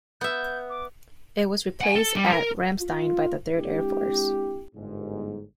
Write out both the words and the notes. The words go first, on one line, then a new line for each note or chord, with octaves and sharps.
It was replaced at Ramstein by the Third Air Force.
B3 E5 G6
D6
F#5 G#5
A4
G3
A#4
F4
G#3 C4 D4 E4 G4
G1 G#2